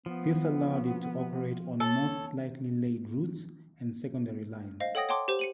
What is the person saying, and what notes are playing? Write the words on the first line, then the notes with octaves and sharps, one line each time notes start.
This allowed it to operate on most lightly laid routes and secondary lines.
F3 B3
A4 C#5
C5 D#5 F5
A4 C#5 F#5 G5 D#6 A#6
C#5 F#5 G5 A5 C6 D6
G4 C5
C#7 D#7 F#7